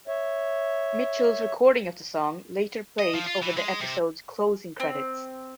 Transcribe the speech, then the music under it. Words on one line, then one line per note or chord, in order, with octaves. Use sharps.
Mitchell's recording of the song later played over the episode's closing credits.
C#5 E5
D#5
F3
F4
E3
G#3
C3
C4